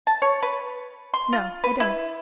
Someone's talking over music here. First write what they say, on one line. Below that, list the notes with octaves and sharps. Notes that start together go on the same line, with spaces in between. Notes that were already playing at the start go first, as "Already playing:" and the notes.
"No, I don't."
A5
C#5
B4
C6
F4
B4
E4